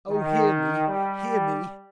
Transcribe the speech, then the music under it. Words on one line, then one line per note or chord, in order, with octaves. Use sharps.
Oh, hear me! hear me!
D#3
G3